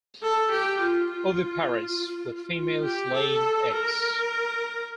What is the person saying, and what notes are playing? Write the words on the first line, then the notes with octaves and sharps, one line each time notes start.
Oviparous, with females laying eggs.
A4
G4
F4
F4
G4
A4
A#4